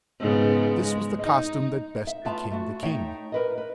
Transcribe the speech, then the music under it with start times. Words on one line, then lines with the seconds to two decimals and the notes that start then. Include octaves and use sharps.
This was the costume that best became the king.
0.20 G#2 C#3 B3
0.83 G#3
1.22 D#4
2.07 E5
2.25 A3 B3 F4 C#5 E5 A5
2.51 A3 F#4
2.82 A3 D#4 C#5 E5 G5
3.32 A#4 B4 D#5
3.58 B4